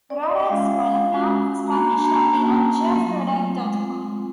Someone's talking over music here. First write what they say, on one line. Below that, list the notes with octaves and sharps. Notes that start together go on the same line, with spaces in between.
Rodack's column now is published only on JeffRodack dot com.
D5
D#5
E5
G#3 C#4 F4 F5
F5
F#5
G#3 C#4 F#4
A#5
A#3 D4 F#4 B5
A5
A#5
A#3 C#4 F#4 A5
F#3 A3 C4 F4
G#3 C4 F4